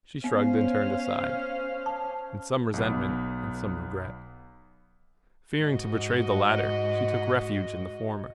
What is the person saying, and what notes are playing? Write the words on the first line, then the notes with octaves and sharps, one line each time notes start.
She shrugged and turned aside, in some resentment and some regret. Fearing to betray the latter, she took refuge in the former.
B3 C#4 C5 F5
A5
B1 B3
G#2 F#4 D#5